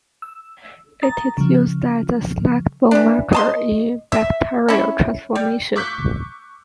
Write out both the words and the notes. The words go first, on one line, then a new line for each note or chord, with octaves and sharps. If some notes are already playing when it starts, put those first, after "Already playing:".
It is used as a selectable marker in bacterial transformation.
E6
A#5 D#6 A6
C#3 F3
E3 D4
D#5 A5 C6
E5
C#4 E4
G3
C#6 D6 E6 F#6 G6 B6